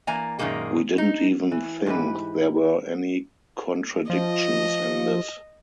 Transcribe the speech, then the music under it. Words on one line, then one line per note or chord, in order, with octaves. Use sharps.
We didn’t even think there were any contradictions in this.
E3 A#3 D5 G#5 A#5
F#2 A#2 D#3 G#3 A#3 G#4
D#4
E3
G#2 E3 G4 B4
F3 D#5